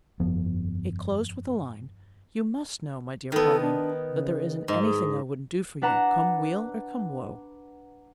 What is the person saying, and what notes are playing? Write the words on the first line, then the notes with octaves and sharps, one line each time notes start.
It closed with the line, "you must know, my dear Pauline, that there isn't anything I wouldn't do for you, come weal or come woe."
G1 F2 F3 B3
D#3 B3 A4
D4
C#3
G#2 D#5
G#4
D4 B4 F#5 A#5 E7